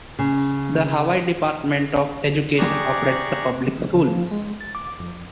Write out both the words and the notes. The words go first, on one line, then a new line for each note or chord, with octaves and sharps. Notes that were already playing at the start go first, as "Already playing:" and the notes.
The Hawaii Department of Education operates the public schools.
C#3
G4 G#4 D5 A#5 C#6 F#6
C#3
F3
G#3
A6
D6
F2